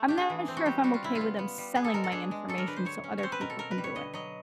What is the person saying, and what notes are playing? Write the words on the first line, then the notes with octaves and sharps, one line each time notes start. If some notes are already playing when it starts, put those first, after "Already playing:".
I'm not sure if I'm okay with them selling my information so other people can do it.
Already playing: A3
D4 G4
G#4
E3
C4
F#4
G3 G4
G3 F#4
F4
C#3 E4
F4
B3
B3
G3
B3 G#4
A4
G#3 A#4
A4
D4 G#4
G#3
F#3 A4
A#4
D3 B4
C5
F#3 C#5
C#4
C4 C5 C#5
B4
B2 A#4
A4
B2 A#4
B4
G3
C#5
D3 D#5
F#3 D#5